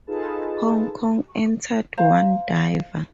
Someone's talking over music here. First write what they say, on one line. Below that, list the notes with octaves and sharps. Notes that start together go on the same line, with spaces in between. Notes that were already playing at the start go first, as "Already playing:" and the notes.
Hong Kong entered one diver.
D#4 F4 G#4 A4 B4 A5
C5 F5 A#5